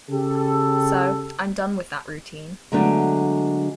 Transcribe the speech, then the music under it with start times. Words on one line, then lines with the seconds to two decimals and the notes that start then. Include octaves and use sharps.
So, I'm done with that routine.
0.11 C#3 G4 A4
2.72 D3 F#3 G#3 A3 B3 D4